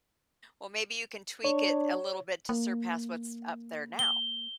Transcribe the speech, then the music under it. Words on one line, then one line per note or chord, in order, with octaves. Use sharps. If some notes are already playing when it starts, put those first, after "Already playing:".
Well, maybe you can tweak it a little bit to surpass what's up there now.
D4 C#5
A#3
G7